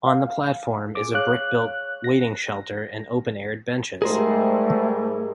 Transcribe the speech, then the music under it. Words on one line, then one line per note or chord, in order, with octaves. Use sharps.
On the platform is a brick built waiting shelter and open aired benches.
F5
G#4 D6
C#5 F5 F#6
A#6
G#2 G3 A3 G#4 A#4 C5